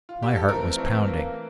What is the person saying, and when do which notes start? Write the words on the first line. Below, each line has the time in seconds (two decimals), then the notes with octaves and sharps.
My heart was pounding.
0.09 F4
0.23 G4
0.36 A4
0.48 E3 A3 C4 A#4
0.77 E3 A3 C4
1.05 E3 A#3
1.34 A#3